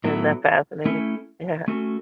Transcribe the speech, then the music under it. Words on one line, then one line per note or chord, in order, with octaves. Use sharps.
Isn't that fascinating? Yeah.
A2 F#3 B3 E4 A4
A3 C#4 E4 A4
A3 C#4 F#4 A4